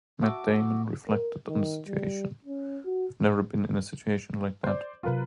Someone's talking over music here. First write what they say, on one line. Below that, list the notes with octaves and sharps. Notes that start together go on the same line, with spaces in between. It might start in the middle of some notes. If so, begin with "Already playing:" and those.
Matt Damon reflected on the situation: I've never been in a situation like that.
F#4 E5 A5 D6
A#4
D#3
G3
C#4
F#4
C5 D5
C3 F#3 C4 F4 A#4 B4